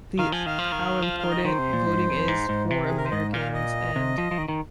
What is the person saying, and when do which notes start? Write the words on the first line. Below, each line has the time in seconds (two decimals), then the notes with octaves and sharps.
the how important voting is for Americans and
0.19 D#3 F5
0.32 F3 G#5
0.46 D#3 F5
0.59 F3
0.72 D#3
1.02 F3
1.19 D#3 F5
1.31 D#5
1.45 D#3 C5
1.58 C3
1.73 A#2
1.86 G#2
2.07 F2
2.28 G#2
2.49 G#2
2.70 C3
2.88 G#4
2.97 A#4
3.04 C5
3.12 G#2 D#5
3.33 A#2 F5
3.54 D#5
3.96 C3
4.18 F3
4.31 F3
4.38 D#3
4.48 D#3